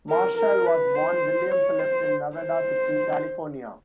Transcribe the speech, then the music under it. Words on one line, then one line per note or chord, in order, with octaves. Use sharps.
Marshall was born William Phillips in Nevada City, California.
A#4
A#4
B4
C5
C#5
C5
C5